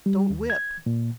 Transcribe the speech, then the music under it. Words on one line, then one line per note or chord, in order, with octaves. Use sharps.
"Don't whip."
G3
D#2
G#6
A#2